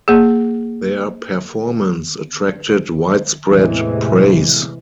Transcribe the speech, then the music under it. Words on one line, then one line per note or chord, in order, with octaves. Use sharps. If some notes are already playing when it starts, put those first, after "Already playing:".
Their performance attracted widespread praise.
A#3 G#4
E2 A2 C3 E3 G#3